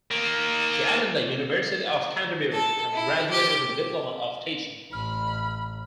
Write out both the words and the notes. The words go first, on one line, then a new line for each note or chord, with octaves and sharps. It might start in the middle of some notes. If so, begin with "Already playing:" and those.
She attended the University of Canterbury and graduated with a Diploma of Teaching.
D#3 A#3
A4
E4
G4
A1 B5 F6